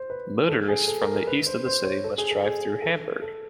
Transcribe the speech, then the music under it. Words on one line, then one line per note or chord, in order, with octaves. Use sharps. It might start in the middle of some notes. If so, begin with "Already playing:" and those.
Motorists from the east of the city must drive through Hamburg.
Already playing: C5
B4
A4
G#4
A4
A#4
A#4
B4
C5
C5
C#5
A4
G#4
A4
G#4
A4
A4